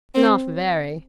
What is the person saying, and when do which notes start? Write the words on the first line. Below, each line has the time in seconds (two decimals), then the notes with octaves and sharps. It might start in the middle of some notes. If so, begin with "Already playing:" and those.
"Not very."
0.15 C4